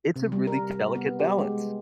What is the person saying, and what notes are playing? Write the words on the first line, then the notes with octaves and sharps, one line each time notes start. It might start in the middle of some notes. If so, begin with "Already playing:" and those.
It's a really delicate balance.
C3
G3
A#4
B3
G4
G#3